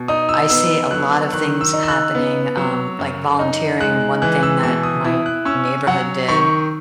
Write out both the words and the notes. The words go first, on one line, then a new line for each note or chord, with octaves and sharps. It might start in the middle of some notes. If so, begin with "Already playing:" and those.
I see a lot of things happening, um, like volunteering. One thing that my neighborhood did
Already playing: B2
D#4 D#6
E6
B3 E6
F#3 F#6
D#3 F#6
E6
D#4
E6
F#6
B3
F#3
F#2
D#4
G#3 F#6
E3 F#6
E6
B2 E6
D#6
E4 D#6
F#6
C#4 E6
F#3 F#5
D#3 C#6